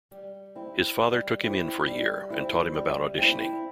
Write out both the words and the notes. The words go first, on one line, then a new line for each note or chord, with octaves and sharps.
His father took him in for a year and taught him about auditioning.
G3
C4 E4
G3
C4 E4
G3
C4 E4
G3
C4 E4